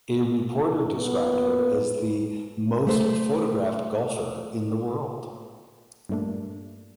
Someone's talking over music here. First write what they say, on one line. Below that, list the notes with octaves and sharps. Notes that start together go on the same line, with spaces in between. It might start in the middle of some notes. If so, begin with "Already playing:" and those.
A reporter described her as the "most photographed golfer in the world".
A#2 B3
A3 C5
G2 A#2 G3 A3 A#3 D4